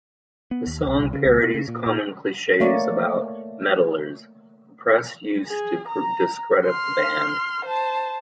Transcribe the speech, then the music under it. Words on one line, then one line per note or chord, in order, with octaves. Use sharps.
The song parodies common cliches about metallers, the press used to discredit the band.
B3
D#2
B1
C2
C#3
C#2
B2
C#3
A#2
A#2
A3 A#3 C#5 D5
G#4
A#5
C6 F6
C5 A5